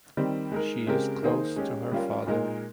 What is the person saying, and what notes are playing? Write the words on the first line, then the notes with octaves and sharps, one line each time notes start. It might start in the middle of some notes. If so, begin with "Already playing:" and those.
She is close to her father.
D#3 G3 C4
G#3 D#4 A#4
C#3 G#3 C4 G4 A#4
D#3 A#3 D#4 G#4 C5
G#3 C#4 G4
G3 C#4 F4 A#4
A#2 G#3 D#4 A#4